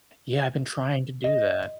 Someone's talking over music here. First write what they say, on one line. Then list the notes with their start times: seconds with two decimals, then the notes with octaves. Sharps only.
Yeah, I've been trying to do that.
1.24 D#5